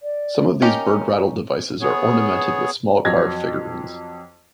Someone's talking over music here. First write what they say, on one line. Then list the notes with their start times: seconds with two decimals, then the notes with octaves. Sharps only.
Some of these bird-rattle devices are ornamented with small carved figurines.
0.03 D5
0.62 C#4 D#4 G4 A#4
1.81 B3 G#4 C#5
3.05 F2 F#3 G#6 A#6